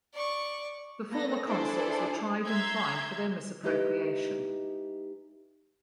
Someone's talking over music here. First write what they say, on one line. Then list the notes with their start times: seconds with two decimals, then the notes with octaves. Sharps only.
The former consuls were tried and fined for their misappropriation.
0.13 D5 C#6
1.10 A#3 B3 A4 A#6
1.46 D4 E4 G#4 A4 C5 D5
2.46 E5 A#5 C6 E6 G6 G#6
3.63 G#3 D#4 E4 G4 B4 D#5